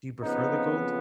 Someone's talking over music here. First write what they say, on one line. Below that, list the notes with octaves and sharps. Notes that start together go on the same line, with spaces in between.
Do you prefer the cold?
F2 C#3 F3 B3 D#4